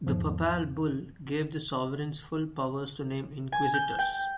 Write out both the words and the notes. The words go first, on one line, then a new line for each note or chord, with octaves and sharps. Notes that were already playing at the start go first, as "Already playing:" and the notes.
The papal bull gave the sovereigns full powers to name inquisitors.
E2 G#2 F3
G#5
G6
G5